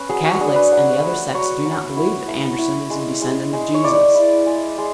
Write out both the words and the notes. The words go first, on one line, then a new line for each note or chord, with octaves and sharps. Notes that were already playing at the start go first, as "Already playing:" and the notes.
The Catholics and the other sects do not believe that Anderson is a descendant of Jesus.
Already playing: C#4 B4
F#3 G#4
F#4
D4 G#4
B4
F#3
A3
F#3 C#5
F#3
E4
A3
E4
G#3
G#3
G#3
C#5
E4 D5
E4
G#3
G#3